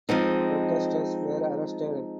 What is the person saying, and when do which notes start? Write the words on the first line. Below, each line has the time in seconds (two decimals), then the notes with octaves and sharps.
Protesters were arrested.
0.09 F3 G#3 C4 D#4